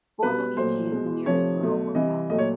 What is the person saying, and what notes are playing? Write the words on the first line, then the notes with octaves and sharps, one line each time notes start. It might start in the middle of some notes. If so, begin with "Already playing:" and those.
Bordovichi is the nearest rural locality.
B2 G3 B4
A#2 F#3 A3 C5
B2 G#3
C3 F3 A3 C#5
B2 F#3 A3
C3 E3 G3 D#5
A#2 F#3 A3 D#5
C#5